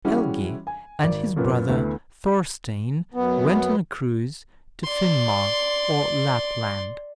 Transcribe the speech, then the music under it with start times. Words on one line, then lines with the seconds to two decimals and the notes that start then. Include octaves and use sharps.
Helgi and his brother Thorstein went on a cruise to Finnmark, or Lapland.
0.05 E3 G3 G#3 C#4 E4 F#4
0.67 G#5
1.01 G#1 D5
1.36 F#2 A#2 B3 C#4
1.69 D2 E3 A3 B3
3.14 F#2 B3
4.84 D5 C6